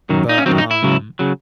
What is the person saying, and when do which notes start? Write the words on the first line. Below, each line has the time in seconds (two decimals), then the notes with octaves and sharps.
But, um
0.09 F#2 D#3 F#3
0.29 D#4
0.38 C#4
0.46 F#2 D#3 F#3 C4
0.58 D#4
0.71 E4
0.83 C#2 C#3 F#3
1.19 C#3 F#3